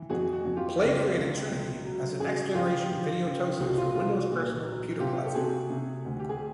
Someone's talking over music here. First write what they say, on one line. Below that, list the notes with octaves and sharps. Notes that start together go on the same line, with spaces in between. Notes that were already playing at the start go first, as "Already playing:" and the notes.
Play created Trinity as the next-generation Video Toaster for the Windows personal computer platform.
Already playing: E3
F2 F#4 G#4
F#4
F2
F4 G4
C#2
C#2
B2
F#3
C#3 F#4 G#4
F3 F4 G4
F3
C#3
C2 F#4
F4
C2 F4
F#4
A#2
F#3
C3 F4 G4
A4
C3 F#4 G#4
C3
D2
G4
G#4